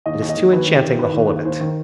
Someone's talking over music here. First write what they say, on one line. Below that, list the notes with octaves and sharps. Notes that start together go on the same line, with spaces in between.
It is too enchanting, the whole of it.
D#2 D#5
D#2
D#5
D#2
D#2 B4
D#3
G4
D#3
D#3 B4
D#2
D#2
D#2 C5
D#3